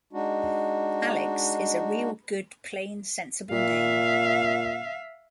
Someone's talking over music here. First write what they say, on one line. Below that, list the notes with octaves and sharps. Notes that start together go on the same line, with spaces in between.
Alex is a real good plain sensible name.
G#3 D4 D#4 F#4
A#2 E5 F5